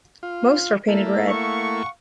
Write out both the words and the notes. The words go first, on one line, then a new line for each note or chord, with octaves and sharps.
Most are painted red.
F4
A3 A#3 E4
F5 F#5 C#6